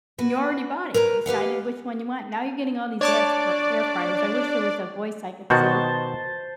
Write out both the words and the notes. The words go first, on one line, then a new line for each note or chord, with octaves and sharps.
and you already bought it, you decided which one you want, now you're getting all these ads for air fryers, I wish there was a voice I could say,
F#4 B4
A#4 B4 C#5 A#5
G4 B4 F5 F#5
D4 C#5 D5 A5 D6
B2 D#3 F#4 C5 A5